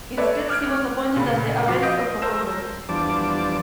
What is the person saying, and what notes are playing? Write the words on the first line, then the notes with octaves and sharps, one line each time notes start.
Instead she was appointed as the abbess of a convent.
A4 B4 C#5 D5 E5
D6 F6 F#6 G#6 D7
A#2 C#3 B5
F3 B3 F4 F#4 D6 C7
D#5 F5 D#6 G6 A#6 D7
A#4 C5 A5 E6 A#6 E7
E2 F3 G3 D4 A5 D6